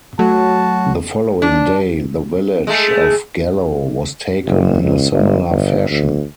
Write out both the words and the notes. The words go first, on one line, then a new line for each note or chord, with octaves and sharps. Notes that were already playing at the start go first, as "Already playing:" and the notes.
The following day the village of Gallo was taken in a similar fashion.
F#3 A3 F#4 A5
D4
G#3 A3
F#1
C#2
G1
G1
D2